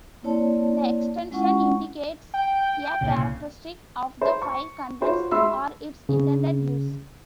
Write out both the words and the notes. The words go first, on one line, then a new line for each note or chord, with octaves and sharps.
The extension indicates a characteristic of the file contents or its intended use.
A#3 C4 E4 C#5 D5 A5
G#3 C#4 E4 F4 F#5 C#6
G5
C2 A#2 C#3
C5
C#6
F4 F#4 C5 C#5
G#3 F#4 E5 B5 C6 E6
C#3